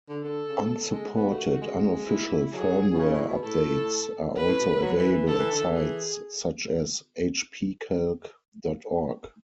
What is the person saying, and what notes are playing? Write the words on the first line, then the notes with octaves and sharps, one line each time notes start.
Unsupported unofficial firmware updates are also available at sites such as hpcalc dot org.
D3
D3 A4
C#3
G#3
B3 F#4
A3
A3
G#3
E4
F#3 G#4
B2
C#3
A2
B2
A2 A4
B4
A2
B2
F#3
E3
E3
D3 A4
E3
D3
E3
G#4